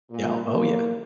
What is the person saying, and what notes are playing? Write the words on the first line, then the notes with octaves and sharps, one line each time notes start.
Yeah, oh yeah.
A#2
A#3